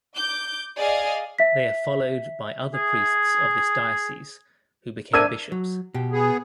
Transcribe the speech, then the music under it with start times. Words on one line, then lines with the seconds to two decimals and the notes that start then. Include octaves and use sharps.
They are followed by other priests of this diocese who became bishops.
0.15 D6 G6
0.78 G#4 D5 D#5 F5 G#5
1.39 E5 B6
2.74 G#4
5.13 D4 A#4 C5 E5 E6 G#6 D#7
5.52 F#3
5.94 B2 G4
6.12 B3 G#4